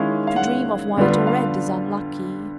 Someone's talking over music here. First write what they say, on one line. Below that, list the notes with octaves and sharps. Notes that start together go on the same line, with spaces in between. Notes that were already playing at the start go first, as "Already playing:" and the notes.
To dream of white or red is unlucky.
Already playing: D#3 G#3 C#4 E4 F5
F5
F#5
D3 G3 B3 D4 F4
F5